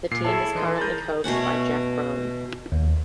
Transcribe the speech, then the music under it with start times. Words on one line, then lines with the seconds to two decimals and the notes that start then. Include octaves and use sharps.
The team is currently coached by Jeff Brohm.
0.11 A#2 C7
0.25 E4 G#4 A4 C#5 A5 B5
0.55 E3 D#4 A4 C6
0.78 G#4 A#4 B5 G6 A6
1.24 B2 A3 C#4 F#5
2.72 D#2